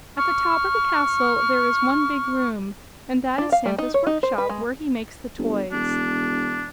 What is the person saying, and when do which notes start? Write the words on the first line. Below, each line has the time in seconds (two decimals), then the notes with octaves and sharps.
At the top of the castle there is one big room, and that is Santa's work-shop, where he makes the toys.
0.17 C#6 F6
3.38 D4
3.52 F5
3.66 G3
3.78 D#4
3.94 C#5
4.07 D#4
4.23 C5
4.38 B4
4.49 G#3
5.38 G1
5.72 E1 D4